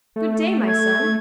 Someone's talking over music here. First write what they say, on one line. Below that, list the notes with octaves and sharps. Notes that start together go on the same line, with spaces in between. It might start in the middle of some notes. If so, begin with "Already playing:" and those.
'Good day, my son!
A3
G#6